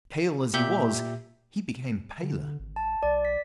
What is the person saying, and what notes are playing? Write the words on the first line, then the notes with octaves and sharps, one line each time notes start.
Pale as he was, he became paler.
A#2 G4 E5 G6
D3
G#1
A5
B1 D5
B6